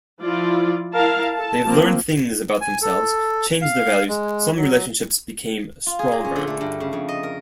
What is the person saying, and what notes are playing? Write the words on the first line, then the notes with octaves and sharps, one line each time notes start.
They've learned things about themselves, changed their values, some relationships became stronger.
F3 E4 F4 D5
E4 A#4 F5 A5
A4 A5
F3 A#3 C4
G#5
A4
F5
G#3
F#3
F4
G#4
A#2
C#4
D3
A3
G2
C#3
F2
D#5
A#4